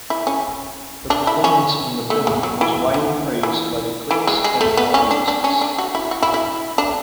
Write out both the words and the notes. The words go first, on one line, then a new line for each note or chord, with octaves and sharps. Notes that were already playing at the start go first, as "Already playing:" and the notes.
Her performance in the film was widely praised by the critics and audiences.
E4
C#4
D4
E4
C#4
A3
G#3
F#3
E3
D3
E3
E3
G#3
G#3
A3
B3
C#4
D4
D4
C#4
D4
F#4
E4
F#4
E4
E4
D4